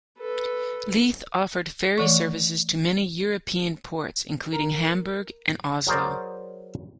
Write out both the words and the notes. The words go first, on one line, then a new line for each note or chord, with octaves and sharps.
Leith offered ferry services to many European ports, including Hamburg and Oslo.
A4 B4
E3 A3 D5 C#6
A#4
F#3 G#4 A#4 C5 D5